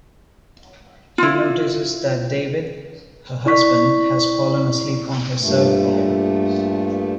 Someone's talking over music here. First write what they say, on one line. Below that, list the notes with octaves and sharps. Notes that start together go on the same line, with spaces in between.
He notices that David, her husband, has fallen asleep on his surfboard.
E4 F4
E4 D5 C#6 B6
G2 A#2 A3